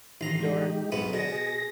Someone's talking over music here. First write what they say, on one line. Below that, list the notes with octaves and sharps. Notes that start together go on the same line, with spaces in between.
Sure. Yeah.
A1 D#3 A#5 C6
G#3 D#4 G4
B1 G#2 B3
B2 G#4 A#6